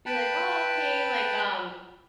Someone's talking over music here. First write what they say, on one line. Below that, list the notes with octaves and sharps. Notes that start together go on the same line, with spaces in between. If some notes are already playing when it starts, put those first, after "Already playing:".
be like, "Oh, okay," like, um
B4 G5 A5 B5